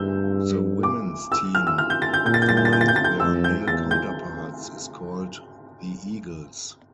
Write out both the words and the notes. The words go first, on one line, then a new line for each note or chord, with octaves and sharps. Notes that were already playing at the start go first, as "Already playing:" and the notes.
The women's team unlike their male counterparts is called the 'Eagles'.
Already playing: G2 E6 G6
D6
E6
F6
E6
F6
G6
A6
G6
A#2 G6
A6
G6
A6
G6
A6
G6
A6
G6
A6
G6
F2 E6
G6
E2 A6
G6